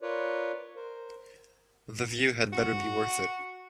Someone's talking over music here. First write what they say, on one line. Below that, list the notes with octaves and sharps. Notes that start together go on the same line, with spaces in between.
The view had better be worth it.
F4 A#4 B4 C#5 D5
A#4 C5
F#4